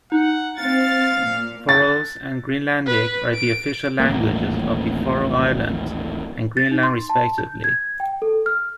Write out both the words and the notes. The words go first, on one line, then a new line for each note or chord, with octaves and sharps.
Faroese and Greenlandic are the official languages of the Faroe Islands and Greenland respectively.
D#4 F#5
C4 F5 A6 C#7
A#2
A6
B4
D7
D#1 A1 A#3
A6
D#4
C6
A5
G6
G#6
G5
A4
F6